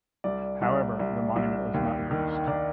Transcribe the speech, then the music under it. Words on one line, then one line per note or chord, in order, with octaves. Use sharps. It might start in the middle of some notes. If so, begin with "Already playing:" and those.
However, the monument was not greased.
C2 D5
C2
C2
C2
D#2
D#3
D#3 D5